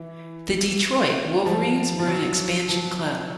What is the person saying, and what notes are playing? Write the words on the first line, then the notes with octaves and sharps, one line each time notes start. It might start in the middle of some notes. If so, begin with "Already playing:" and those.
The Detroit Wolverines were an expansion club.
Already playing: E3
F3
F3
F#3
F3